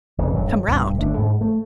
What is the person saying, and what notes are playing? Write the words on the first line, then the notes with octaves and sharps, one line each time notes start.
"Come round?"
F1 C#3 E3
D#1 G2 F#3
B1 G2
G1 A3 D4
G#2
A3